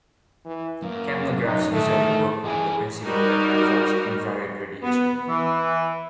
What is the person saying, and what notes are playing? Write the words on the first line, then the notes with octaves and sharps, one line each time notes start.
Capnographs usually work on the principle that absorbs infrared radiation.
E3
F#2 A#3
D#4
D#3 E3 A3
E3 G4 G#4
G3 D#4 F#4 G4 A#4
B3
E3